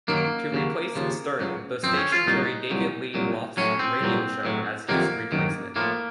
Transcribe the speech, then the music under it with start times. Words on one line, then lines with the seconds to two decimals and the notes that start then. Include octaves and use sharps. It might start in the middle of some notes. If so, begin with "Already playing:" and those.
To replace Stern, the station carried David Lee Roth's radio show as his replacement.
0.08 F#2 D#3 F#3 A#3
0.52 D#2 C#3 F#3
0.95 D#2 C#3 F3
1.39 C#2 C#3 F#3
1.83 F#2 F3 C4
1.97 C#4
2.12 F4
2.26 C2 A#2 F#3 D#4
2.70 C2 A#2 F#3
3.14 C2 A#2 F#3
3.57 A2 F#3 C#4
3.79 C4
4.01 C2 A#2 F#3
4.45 A2 F#3
4.89 F2 C3 D#3 F#3 A#3
5.32 F#2 D#3 F#3
5.76 A2 F3 A#3